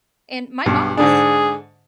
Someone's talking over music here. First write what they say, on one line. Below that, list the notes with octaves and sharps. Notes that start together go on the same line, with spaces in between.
And my mom's
B1 G2
G#2 D3 D4 G#4